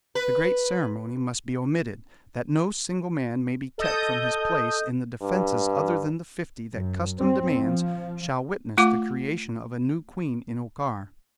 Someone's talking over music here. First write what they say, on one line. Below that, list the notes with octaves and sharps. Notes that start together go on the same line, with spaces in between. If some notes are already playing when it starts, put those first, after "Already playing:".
The great ceremony must be omitted that no single man may be kept from his place in the defenses other than the fifty that custom demands shall witness the creation of a new queen in Okar.
B4
A4 D#5 D#6 G6
G2
F#2
C4
F3
A3 F4 F#5 D6